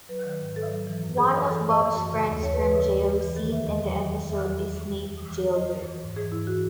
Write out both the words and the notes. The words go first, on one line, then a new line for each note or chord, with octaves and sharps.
One of Bob's friends from jail seen in the episode is Snake Jailbird.
F#3 B4
D#3
G#2
G#2 A4
F#3
E3
F#2
E3 G#4
F#2
E3 A4
F#2
D#5
E3
F#2
C#3
D#2
D#2 C#5
B4
E3
B4
C#3
D#2
D#2
E3
D#3 A4
E2 E5
E2 D#5
F#3
D#3
E2
E2 E5
F#3
E3
F#2
E3
F#2
E3
F#2
E3 D#5
F#2
E3
G#2
E3 G#4
G#2 E4
E3 F#4